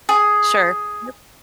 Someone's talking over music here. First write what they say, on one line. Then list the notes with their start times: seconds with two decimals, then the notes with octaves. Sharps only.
Sure, yep.
0.09 G#4